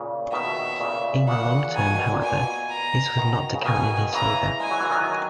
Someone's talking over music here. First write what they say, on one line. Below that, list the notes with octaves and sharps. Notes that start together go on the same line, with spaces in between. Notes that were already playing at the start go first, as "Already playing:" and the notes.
In the long term, however, this was not to count in his favour.
Already playing: A#2 C#3
B2 D#3 E5
A#2 C#3
A#2 C#3 F#5
B2 D#3 G#5
B2
A#2
B2 G#5
A#5
B2 D#3
C#3
B2 D#3 G#5
C#3 E3 A#5
G#3 G#5
F#3
E3
D#3 F#3